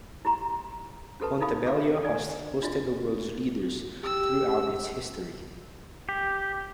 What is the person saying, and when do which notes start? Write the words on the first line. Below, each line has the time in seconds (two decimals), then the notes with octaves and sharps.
Montebello has hosted the world's leaders throughout its history.
0.25 E4 G4 A#5 C6
1.20 C#4 F#4 G4 A4 B4 A5
1.41 D#4 E4 A4 F5 B5 D#6
1.67 G4 F5 D6
2.02 A4 D5 G#5
2.62 D4 F4 F#4 D#5
4.03 G4 E6
6.09 G4